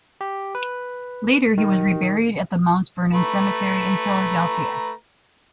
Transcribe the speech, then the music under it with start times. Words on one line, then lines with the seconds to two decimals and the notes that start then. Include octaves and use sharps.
Later, he was reburied at the Mount Vernon Cemetery in Philadelphia.
0.21 G4
0.55 B4
1.58 D#3
3.14 A3 B4 A#5